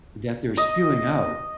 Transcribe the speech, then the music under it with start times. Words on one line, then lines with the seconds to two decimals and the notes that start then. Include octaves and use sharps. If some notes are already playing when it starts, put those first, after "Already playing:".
that they're spewing out
0.57 D#5